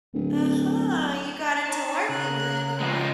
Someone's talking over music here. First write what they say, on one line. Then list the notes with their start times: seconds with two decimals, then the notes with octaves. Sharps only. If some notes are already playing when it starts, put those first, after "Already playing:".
Uh-huh. You got into LARPing then, huh?
0.14 D1
1.65 D#4 C#5 A5
2.09 C#3 G#4 A#4 F#6
2.80 F3 G#3